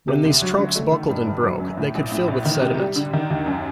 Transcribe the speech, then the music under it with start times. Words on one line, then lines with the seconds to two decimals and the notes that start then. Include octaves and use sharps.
When these trunks buckled and broke, they could fill with sediment.
0.08 C3
0.25 D2
0.42 F#3
0.59 D3
0.75 A3
0.92 D#3
1.09 G2
1.26 G1
1.43 F#3
1.60 F#2
1.77 A2
1.95 A#1
2.12 A2
2.28 A#1
2.45 D#3
2.62 C3
2.79 G3
2.96 D3
3.13 D#3
3.30 D#2
3.46 F#2